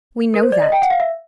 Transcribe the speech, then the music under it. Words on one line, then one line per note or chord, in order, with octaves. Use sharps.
We know that.
A#4
C5
D5
D#5
G5
F#5
F5
E5